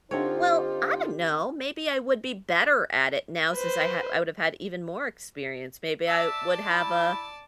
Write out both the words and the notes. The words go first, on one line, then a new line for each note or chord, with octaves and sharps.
Well, I don't know, maybe I would be better at it now since I ha I would've had even more experience, maybe I would have a
D3 C4 D#4 F4 G4 C5 C#5
B4 C5
D5 E5 A5
E4